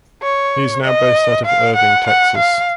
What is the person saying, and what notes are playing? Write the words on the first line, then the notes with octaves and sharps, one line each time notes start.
He is now based out of Irving, Texas.
C#5
D#5
F5
F#5
F#5
F5